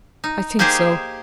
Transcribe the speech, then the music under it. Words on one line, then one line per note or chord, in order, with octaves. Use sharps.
I think so.
D#4
A#3 D#4 G4 G#4 C5